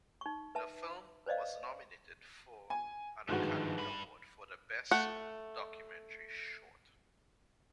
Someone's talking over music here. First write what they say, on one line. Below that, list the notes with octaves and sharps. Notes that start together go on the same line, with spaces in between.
The film was nominated for an Academy Award for Best Documentary Short.
D#4 C#6
B4 E5 A5
B4 C5 D5 D#5 F5
G#5
G1 G#2 D#3 F3 F#4
G2 B5
A3 F#5